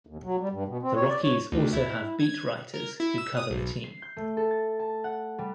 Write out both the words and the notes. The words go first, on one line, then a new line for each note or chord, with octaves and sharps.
The Rockies also have beat writers who cover the team.
D#2
F#3
G3
G2
B2
C4
C#5
D5
C#5
D2
E4
G#6
A#4
E4
E6
D#6
B1
C7
G6
A3
A4
A6
A5
F#5
G3